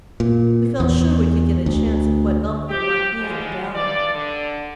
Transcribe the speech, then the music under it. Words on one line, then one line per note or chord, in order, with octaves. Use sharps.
We felt sure we could get a chance at what elk there might be in the valley.
A#2
E2
D2
G4
D3 F3 G3 G#3
G2 D5
D3